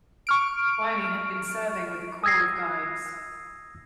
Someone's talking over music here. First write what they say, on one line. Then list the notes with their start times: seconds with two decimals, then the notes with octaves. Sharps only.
Wylly had been serving with the Corps of Guides.
0.27 C#6 F6 D7
2.24 D#6 E6 G#6 A#6 C7